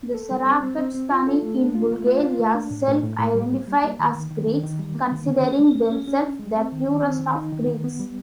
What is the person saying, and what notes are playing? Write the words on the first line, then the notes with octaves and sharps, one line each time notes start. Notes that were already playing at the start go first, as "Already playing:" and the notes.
The Sarakatsani in Bulgaria self-identify as Greeks, considering themselves the purest of Greeks.
A4
G3
C4
C4
C4
C4
F4
A4
A3
D4
F4
A3
F4
F4
A3
D4
A2
A2
A2
A2
G3
A#3
G3
A#3
D#3
D#3
D#3
D#3
D#3
G3
A#3
D#3
D3
C#4
G#3
C#4
C#4
C#4
C#4
G#3
C4
D#3
D#3
C4
D#3
D#4
D#3
D#3
B3
G3